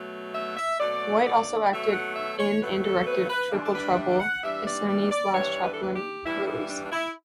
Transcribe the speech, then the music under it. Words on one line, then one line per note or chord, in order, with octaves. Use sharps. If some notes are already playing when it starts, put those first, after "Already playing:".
White also acted in and directed "Triple Trouble", Essanay's last Chaplin release.
Already playing: B2 F#3 A3
E5
E5
B2 F#3 A3 D5
D5
B2 F#3 A3 E5
F#5
E5
C#5
B2 F#3 A3 B4
A4
B4
B4
G2 E3 G3 D4
A4
B4
E5
F#5
G2 E3 G3 D4 E5
D5
D5
D5
G2 E3 G3 D4 C#5
B4
A4
B4
G4
G2 E3 G3 D4 E4
E4
D4
D4
E4